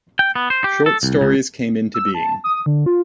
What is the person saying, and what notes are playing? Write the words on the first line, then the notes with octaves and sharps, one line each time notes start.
Short stories came into being.
G5
B3
C5
G4
A4
C2
C#2
E6
A5
D#6
D3
F4